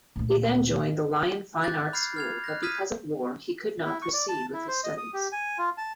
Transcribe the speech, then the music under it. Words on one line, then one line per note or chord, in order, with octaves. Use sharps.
He then joined the Lyon Fine Arts School, but because of war, he could not proceed with his studies.
D2 A#2
D6 F#6 G6 A6
B5 F6 G6 G#6 C7
F6 G#6 F7
F#6 G6 A#6
D#6 F6 G#6 B6 D#7
E4
C#6
D5
A5
E4
C5
D#5
D#6
G4
G#5
F4
A5